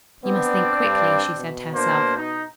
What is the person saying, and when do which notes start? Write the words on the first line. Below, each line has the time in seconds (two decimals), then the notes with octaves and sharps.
"You must think quickly," she said to herself.
0.24 B3 C4 D4 D5
0.83 G2
1.37 B2
1.74 A#3 D4 C5
2.17 D#4